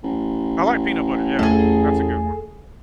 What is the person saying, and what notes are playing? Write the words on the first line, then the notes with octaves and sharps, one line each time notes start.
I like peanut butter, yeah. That's a good one.
A1
E2 A3 G#4 A4